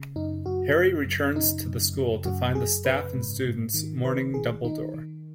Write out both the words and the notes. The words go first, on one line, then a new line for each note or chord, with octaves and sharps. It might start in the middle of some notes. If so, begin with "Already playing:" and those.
Harry returns to the school to find the staff and students mourning Dumbledore.
Already playing: C#3
F#2 D#4
F#2 F#4
C#3
F#2
C#3 D#4
F#2
C#3
F#2 F#4
F#2 G#4
C#3 B4
G#2
G#2
D#3
D#3 B4
D#3 G#4
D#3 D#4
D#3